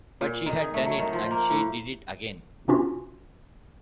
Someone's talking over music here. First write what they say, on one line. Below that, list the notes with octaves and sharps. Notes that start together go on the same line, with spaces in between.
But she had done it, and she did it again.
A#2
D#3
G#4
A3
F#3
D#3
F3
A#3
A2
C3 B3 C#4 D4 F4 F#4